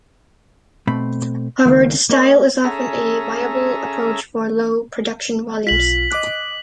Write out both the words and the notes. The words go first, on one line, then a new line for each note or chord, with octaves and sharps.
However this style is often a viable approach for low production volumes.
B2 A3 C4 B5
C#2 D#3 A#3
A#3 A#4 C#5 D#5
C#4 G#4 A4 E5 A#5
B1 F4 B6 F#7
D#5 D6 F#6